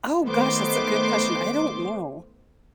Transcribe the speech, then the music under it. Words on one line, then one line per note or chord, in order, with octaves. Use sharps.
Oh, gosh, that's a good question, I don't know.
D#3 A3 B3 C5 C6 D6